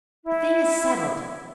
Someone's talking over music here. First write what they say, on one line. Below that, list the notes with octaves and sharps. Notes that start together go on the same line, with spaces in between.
The thing is settled.
E4